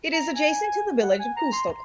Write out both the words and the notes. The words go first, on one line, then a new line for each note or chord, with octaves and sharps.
It is adjacent to the village of Kewstoke.
A#5
G#5
F#5
G#5
A#5
C6